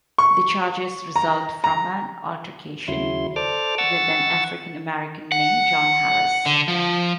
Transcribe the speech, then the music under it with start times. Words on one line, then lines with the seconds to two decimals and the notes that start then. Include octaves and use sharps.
The charges result from an altercation with an African American named John Harris.
0.18 C#6
1.16 A#5
1.64 A#5
2.88 D#2 C#3 F#3 E4 C6
3.36 A4 C5 D5 D6 F6
3.78 F#5 C#6 E6 A6
5.32 F#5
6.46 D3
6.68 F3